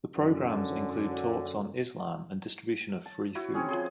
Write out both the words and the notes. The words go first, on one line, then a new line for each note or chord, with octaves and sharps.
The programs include talks on Islam and distribution of free food.
F#2 D3 C#4
A5
E4 F#4
C4 C#4 G#4 C#5
F3 G#4 C6